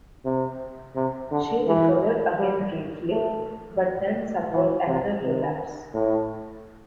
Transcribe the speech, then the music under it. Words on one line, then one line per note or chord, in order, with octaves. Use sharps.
She recovered again briefly, but then suffered another relapse.
C3
C3
D3
E3
G3
A3
E3
C3
C3
A2